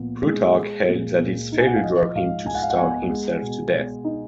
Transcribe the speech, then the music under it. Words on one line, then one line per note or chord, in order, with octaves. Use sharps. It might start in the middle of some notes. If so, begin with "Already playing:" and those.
Plutarch held that its failure drove him to starve himself to death.
Already playing: A#2 F3 B3
G#3
G#3
A#2
A#2
D#4
G#5
F#5
F5
F3 D#5
G#2 F5
G#2 G#5
F#5
F5
F#5
B3 G#5
G#3
B2
B2
D#4